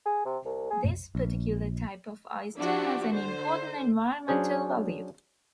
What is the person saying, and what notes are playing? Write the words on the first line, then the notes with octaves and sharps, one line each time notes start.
This particular type of oyster has an important environmental value.
G#4
C3
C2
G#4
A#1
F3 D4 E4 F#4 G4
D3 C5
F#3 C#4 D4 G#4 C5